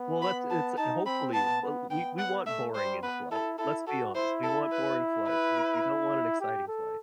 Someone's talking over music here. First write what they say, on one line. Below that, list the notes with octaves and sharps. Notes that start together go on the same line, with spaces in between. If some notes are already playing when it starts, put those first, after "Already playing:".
Well, that's it's hopefully, but we we want boring in flight. Let's be honest, we want boring flights, we we don't want an exciting flight.
Already playing: B3
B5
A5
D#4 A5
C4 B5
B3 A5
B3
B3 G5
F#5
A3 E5
G3 C5
B3 B4
E4 A4
E4 A4
F#4 A4
E4 C5
A4
B4
B4
G4
A4